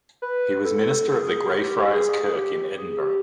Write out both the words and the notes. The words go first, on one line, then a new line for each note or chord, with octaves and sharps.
He was minister of the Greyfriars Kirk in Edinburgh.
B4
A4
G#4
G4
G#4
G4
G#4
G4